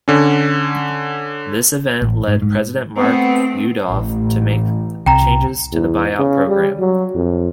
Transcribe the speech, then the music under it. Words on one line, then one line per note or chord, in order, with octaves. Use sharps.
This event led President Mark Yudof to make changes to the buy out program.
D3 C#4
A1
G#2
G#2
A3 B3 C4
A1
C2 G5 A#5
E2
C#3
G3
F#3
F2